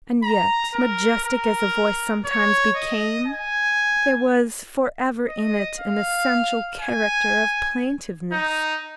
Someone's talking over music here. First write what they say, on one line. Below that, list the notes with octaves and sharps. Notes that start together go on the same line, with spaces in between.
And yet, majestic as the voice sometimes became, there was for ever in it an essential character of plaintiveness.
A#5
A#4
A#4
C#5
D#5
G#5
D#5
F5
G#5
D#4